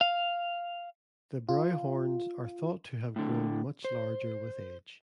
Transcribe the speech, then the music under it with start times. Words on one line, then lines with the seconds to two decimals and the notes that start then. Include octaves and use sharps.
The brow horns are thought to have grown much larger with age.
0.01 F5
1.49 F4
3.16 A2 D3
3.85 C5